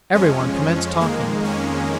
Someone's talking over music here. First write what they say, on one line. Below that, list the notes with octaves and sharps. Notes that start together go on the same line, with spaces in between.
Everyone commenced talking.
F2 F3 G#3 C#4
F2 D#3 G#3 A#3
C#4